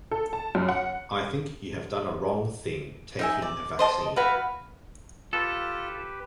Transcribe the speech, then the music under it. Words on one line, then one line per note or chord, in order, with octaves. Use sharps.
I think you have done a wrong thing taking a vaccine.
A4
A5
F#2
F#5
D#4 E5 G#5
D5
C5 D#5 A5
E4 F#4 B4 F5
F4 G4 A4 B4